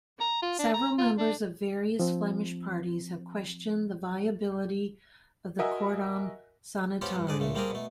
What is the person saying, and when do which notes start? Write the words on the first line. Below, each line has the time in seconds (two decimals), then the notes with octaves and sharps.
Several members of various Flemish parties have questioned the viability of the "cordon sanitaire".
0.21 A#5
0.42 F4
0.59 D4
0.74 A#5
0.98 F4
1.18 D4
1.99 F3 C4
5.59 F#4 A#4 D#5 E5 G#5
7.01 B3 C#4 F4 G4 A4 C5
7.15 G2
7.27 G#2 G#4 D5
7.39 C#2 A#2 A3
7.55 G3 A#3 C4 D4 G#4 A#4
7.71 B2 A3